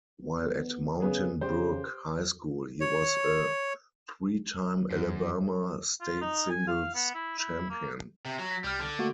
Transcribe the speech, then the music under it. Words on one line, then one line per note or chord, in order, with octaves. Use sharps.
While at Mountain Brook High School, he was a three-time Alabama state singles champion.
B3
C#3 B3 G#4
C#3 G4 C5
C#5
F#2
F4
D#4
G#5
F5
B3
E4
E4
A#3
C3
F#3
B6
C2 G3 F6
D3
A3 A#3 F#4